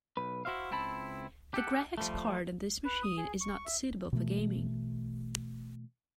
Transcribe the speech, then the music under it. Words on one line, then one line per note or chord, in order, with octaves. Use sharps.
The graphics card on this machine is not suitable for gaming.
B1 B4
E4 F#4 C5 E5 F5
C#2 C4 E4 A5 B5
G4 A4 F#5
F3 G3 A3
B4
D#6
G#4
C#6
E5
B2 E3 A3